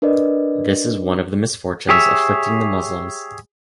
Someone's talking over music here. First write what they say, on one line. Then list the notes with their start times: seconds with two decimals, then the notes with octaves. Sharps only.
This is one of the misfortunes afflicting the Muslims.
0.02 D4 A#4 B4 D5 D#5
1.89 G4 G#4 C#5 E5